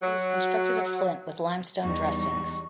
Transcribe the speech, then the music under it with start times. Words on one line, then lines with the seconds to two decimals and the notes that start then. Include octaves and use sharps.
It is constructed of flint with limestone dressings.
0.03 F#3
1.84 E2 G3 D#4 C#6